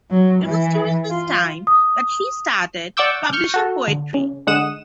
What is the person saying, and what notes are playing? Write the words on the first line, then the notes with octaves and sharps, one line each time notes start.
It was during this time that she first started publishing poetry.
F#3
E3
F4
D#6
D5 F#5 C#6 D6 E6 G6
C#6 F6 G6
F#4 A4
D3
C#3
D3 G#3 F#5 D#6 E7